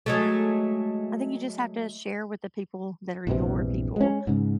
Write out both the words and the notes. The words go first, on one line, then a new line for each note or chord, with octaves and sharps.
I think you just have to share with the people that are your people.
F#3 G#3 A3
A#1 E2 G2 C3
G#3 C#4
G#2 C#3